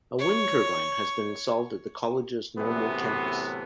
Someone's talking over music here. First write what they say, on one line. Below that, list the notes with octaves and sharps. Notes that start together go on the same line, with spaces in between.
A Wind-turbine has been installed at the College's Normal campus.
C#5
F#2 A2 C3 E3 B3